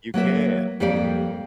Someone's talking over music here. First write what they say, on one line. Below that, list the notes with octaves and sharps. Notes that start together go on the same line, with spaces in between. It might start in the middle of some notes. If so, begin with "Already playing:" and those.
You can.
F#3 A#3 B3 E5
F2 G3 A#3 G4 D5